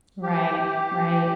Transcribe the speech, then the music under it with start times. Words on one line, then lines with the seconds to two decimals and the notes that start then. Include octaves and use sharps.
Right, right.
0.23 G4